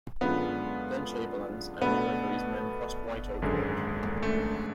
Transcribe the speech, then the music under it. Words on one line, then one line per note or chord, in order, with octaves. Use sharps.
Then Chamberlain's and Gregory's men crossed White Oak Road.
F#2 D3 G#3 B3 D4 F4
B2 A3 B3 D4 F#4 A4
G#1 F#2 D3 G#3
A3